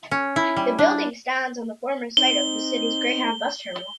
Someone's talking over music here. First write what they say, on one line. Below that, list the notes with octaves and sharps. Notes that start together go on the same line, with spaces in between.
The building stands on the former site of the city's Greyhound bus terminal.
C#4
E4
G3
D4
C4 D#4 G7